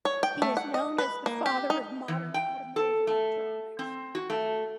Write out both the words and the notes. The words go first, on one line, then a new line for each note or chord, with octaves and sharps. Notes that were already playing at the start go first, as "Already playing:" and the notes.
He is known as the father of modern automotive electronics.
C#5
G5
A3
F#5
D#5
B4
A#3
G4
D#4
E3
G5
A4
A3
C4
F#4
A3